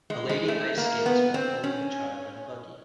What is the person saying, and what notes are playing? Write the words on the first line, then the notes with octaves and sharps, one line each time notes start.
A lady ice skates while pulling a child in a buggy.
G#3
G#3
A3
A#3
B3
C4
C#4